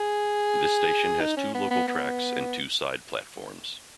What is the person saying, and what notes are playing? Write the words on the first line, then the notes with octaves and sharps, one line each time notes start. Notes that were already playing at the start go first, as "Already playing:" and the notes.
This station has two local tracks and two side platforms.
Already playing: G#4
D#4
C#4
B3
B3
B3